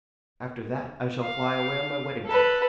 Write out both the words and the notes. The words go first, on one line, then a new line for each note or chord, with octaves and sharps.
After that, I shall fly away on my wedding trip.
F5
A4 B4